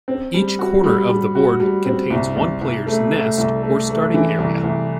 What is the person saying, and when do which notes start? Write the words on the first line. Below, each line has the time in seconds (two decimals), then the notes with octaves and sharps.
Each corner of the board contains one player's "nest", or starting area.
0.08 C4
0.34 G3
0.59 F#4
0.84 G3
1.09 G3
1.35 F#4
1.60 G3
1.85 C4
2.10 C2
2.36 C2
2.61 C2
2.87 A3
3.12 A3
3.38 C2
3.63 A3
3.89 A3
4.14 E3
4.38 C2
4.64 C2